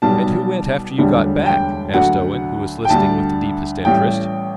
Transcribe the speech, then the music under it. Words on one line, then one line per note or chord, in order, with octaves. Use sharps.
"And who went after you got back?" asked Owen, who was listening with the deepest interest.
B1 B2 G3 A5
E1 D2 D3 G3
G5
D2 D3 F#3 F#5
G5
D2 D3 G3 A5
A1 A2 G3 G5